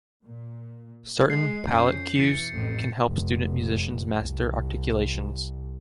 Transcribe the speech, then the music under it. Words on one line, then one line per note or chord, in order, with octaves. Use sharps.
Certain palate cues can help student musicians master articulations.
A#2
G#3 C7
F2 C#4 G6
B2 E3 A6 C#7
A1 F2 A2
F1
C2